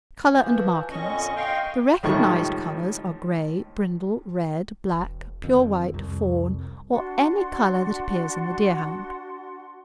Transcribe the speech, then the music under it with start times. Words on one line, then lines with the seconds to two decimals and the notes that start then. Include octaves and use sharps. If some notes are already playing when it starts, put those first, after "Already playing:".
COLOUR AND MARKINGS--The recognised colours are grey, brindle, red, black, pure white, fawn, or any colour that appears in the Deerhound.
0.17 G#2
0.33 E3 F3
0.90 F2 A#2 D3 C#4 D#5 C#6
1.36 D#5 F5 G5 C6 C#6
2.03 C#2 A2 D#3 F3 G3 C#6
4.92 E1
5.44 F2 D#3
5.94 C2 F2
6.91 D4 F#4 F#5 C6